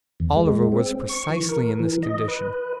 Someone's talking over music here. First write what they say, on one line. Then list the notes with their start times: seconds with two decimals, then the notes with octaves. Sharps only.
Oliver was precisely in this condition.
0.20 E2
0.37 G#3
0.72 C4
1.09 C#6
1.30 E3
1.49 A#4
1.79 E3
2.03 D#5
2.28 B4